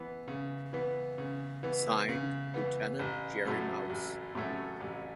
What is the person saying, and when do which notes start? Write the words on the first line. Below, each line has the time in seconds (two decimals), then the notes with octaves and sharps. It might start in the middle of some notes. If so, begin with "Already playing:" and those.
Signed, Lieutenant Jerry Mouse.
Already playing: E3 B3
0.28 C#3
0.73 E3 B3
1.18 C#3
1.63 E3 B3
2.09 C#3
2.54 E3 B3
2.99 A1
3.45 A2 F#3 A3 C#4
3.90 A1
4.35 A2 F#3 A3 C#4
4.80 A1